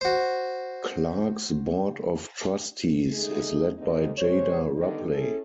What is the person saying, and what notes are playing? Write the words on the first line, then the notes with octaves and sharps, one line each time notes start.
Clark's Board of Trustees is led by Jada Rupley.
F#4 C5
G#3 A3 D#4 G#4
D#2 G#2 D3 A3 C4 D#4
C3 G#3 C5 C#5
D3 D#3 G3 B3 D4 D#4
C#4 E4 G#4 A4